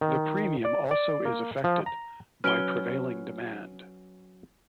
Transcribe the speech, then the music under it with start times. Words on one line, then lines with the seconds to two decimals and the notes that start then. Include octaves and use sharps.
The premium also is affected by prevailing demand.
0.01 D#3
0.65 D5
0.91 D5
1.25 A#3
1.64 F3
1.86 A#5
2.44 F#3 C#4 B4 F6 D7 G7